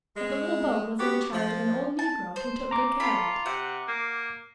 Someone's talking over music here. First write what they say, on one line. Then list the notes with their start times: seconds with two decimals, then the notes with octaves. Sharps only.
But the little boat was in the charge of an old negro who took good care of it.
0.15 G#3
0.99 B3 F#4 G4
1.33 F3
1.99 A5
2.36 C5
2.71 A#5 D6
3.00 F4 A4 B5
3.46 C3 F#5
3.88 A#3